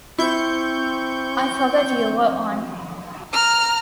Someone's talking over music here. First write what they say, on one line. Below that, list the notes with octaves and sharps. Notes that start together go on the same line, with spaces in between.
I forgot you were on.
C4 E4 C#6 G6
A#5 F6